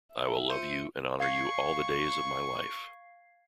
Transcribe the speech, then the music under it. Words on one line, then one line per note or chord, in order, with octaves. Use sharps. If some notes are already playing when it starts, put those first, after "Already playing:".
I will love you and honour you all the days of my life.
E5
F4 C5 C#7 D#7
F5 C#6 G#6 C7